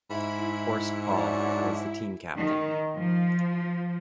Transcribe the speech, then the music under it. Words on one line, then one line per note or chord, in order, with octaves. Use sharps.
Horst Paul was the team captain.
G#2 E4 B5
F#3 D4
D#3
F3